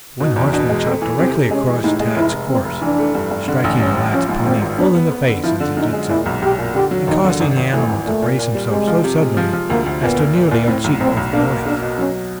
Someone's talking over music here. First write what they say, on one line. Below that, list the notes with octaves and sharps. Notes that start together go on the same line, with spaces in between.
One horseman shot directly across Tad's course, striking the lad's pony full in the face as he did so, and causing the animal to brace himself so suddenly as to nearly unseat both boys.
B2 D#4
E2
B2 D4
G#3
A3 C4
E3
C3 C4
C3
G#3 C#4
E3
A2 D#4
G#3
F1 E4
F1
F1 C4
F1
E3 D4
A3
G2
G2
D3
A1
G2 C#4
A1
F3 C#4
G#2
G#1 C4
G#1
B3 D4
B3
B3
D3
F3 E4
D3
F#2 D#4
G#3
A#2 E4
B1
B1 G4
A#2
D3 G4
F#3
D#2 D#4
D3
G#1 D4
G#1
E3 A3
G#1
A#2 A3
A#2
A#2
G3
C3 G#3
F3
C3
G#3
F3
F3
D2 A#3
D2
A#2 B3
A#2
A#2
A#2
A2 C4
B1
B1 C4
B1
A#3 D4
B2
A#3 D4
B2
F#3 C#4